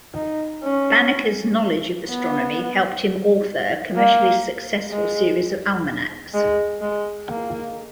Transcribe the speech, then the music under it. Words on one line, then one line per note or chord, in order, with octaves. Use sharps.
Banneker's knowledge of astronomy helped him author a commercially successful series of almanacs.
D#4
C#4
B3
A#3
G#3
G#3
G#3
A#3